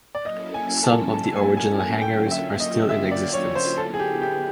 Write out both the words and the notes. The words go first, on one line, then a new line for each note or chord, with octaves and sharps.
Some of the original hangars are still in existence.
D5
F#3 A#3 C#4 E4 A4 D#5
G#5
A5
A5
G#5
G#5
G#5
D3 F#3 A#3 C#4 F4 G5
E5
D#5
E5
D5
C#5
C5
D3 F#3 B3 E4 A4
G#4
G4
G4